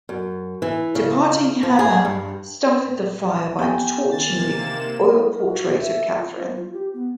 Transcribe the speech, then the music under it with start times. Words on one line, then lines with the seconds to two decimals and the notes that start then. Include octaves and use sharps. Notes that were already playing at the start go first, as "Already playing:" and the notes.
Departing Hannah started the fire by torching the oil portrait of Catherine.
0.09 F#2
0.62 E3
0.95 C#3
1.63 F3
1.79 G#4
2.05 G2
3.59 B3 G4 G5 G#5 G6
4.11 C3 D#3 A#3 A6 E7
5.34 A#4
5.48 F#4
5.79 E5
6.18 F4
6.38 C5
6.56 F4
6.73 G4
6.94 B3